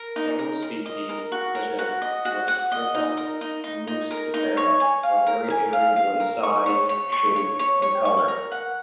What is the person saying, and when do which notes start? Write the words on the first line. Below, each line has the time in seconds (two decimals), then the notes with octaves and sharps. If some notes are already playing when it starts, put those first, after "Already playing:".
Several species, such as "Restrepia muscifera", are very variable in size, shape and color.
Already playing: A#4
0.16 D#4
0.39 A#4
0.63 A#4
0.86 D#5
1.09 A#4
1.32 F#4
1.55 A#4
1.79 F#4
2.02 D#5
2.25 F#4
2.48 F#5
2.72 D#5
2.94 D#4
3.17 A#4
3.41 D#4
3.64 D#4
3.87 D#4
4.11 A#4
4.34 D#4
4.57 C#5
4.80 G#5
5.03 F5
5.27 A#4
5.50 G#5
5.73 F5
5.96 F5
6.20 A#4
6.43 C#6
6.66 C#5
6.89 C#5
7.12 C#6
7.36 C#5
7.59 C#5
7.82 C#5
8.05 C#6
8.28 A#4
8.52 F#5